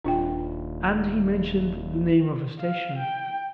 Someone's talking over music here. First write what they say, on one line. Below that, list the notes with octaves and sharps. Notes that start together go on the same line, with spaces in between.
And he mentioned the name of a station.
D#1 D4 F4 G5
F5
G5